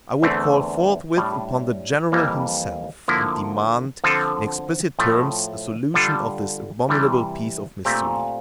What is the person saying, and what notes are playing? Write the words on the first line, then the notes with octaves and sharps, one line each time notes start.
I would call forthwith upon the General himself, and demand, in explicit terms, a solution of this abominable piece of mystery.
E2 D3 A3 C4
A2 G3 D4
F2 E3 G3 A#3
D3 F3 A#3 E4
D3 F3 C4 F4 A4
A2 F3 A3
D3 G3 D4 F4 A4
C3 E3 G3
A#2 A3 C4 G4